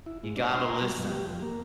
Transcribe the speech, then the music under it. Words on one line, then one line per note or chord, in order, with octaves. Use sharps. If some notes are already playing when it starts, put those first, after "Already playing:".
You gotta listen.
E4
G#2
D4
C6
A#5
G3
F#2
G4
F2
A#3